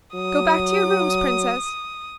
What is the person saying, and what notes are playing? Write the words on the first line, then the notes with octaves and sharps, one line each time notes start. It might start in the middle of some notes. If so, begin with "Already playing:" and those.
Go back to your rooms, Princess.
F#3 D#6